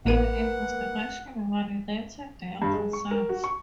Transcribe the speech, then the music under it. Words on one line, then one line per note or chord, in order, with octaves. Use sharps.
An investigation validated their concerns.
A1 A#3 A#4 B4 F#5 D#7
G2
G#3
C#6
A#4
F#4
C#6